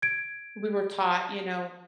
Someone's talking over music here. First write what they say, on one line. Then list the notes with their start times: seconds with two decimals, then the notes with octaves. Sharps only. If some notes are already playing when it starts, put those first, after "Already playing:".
we were taught, you know,
0.02 G#6 D7